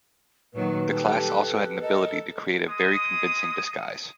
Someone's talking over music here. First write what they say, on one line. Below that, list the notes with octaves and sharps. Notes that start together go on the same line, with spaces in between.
The class also had an ability to create a very convincing disguise.
A#2 D#3 F#3 B4
G3 G4 A4
A4 A#4 D#5
G#3 D#6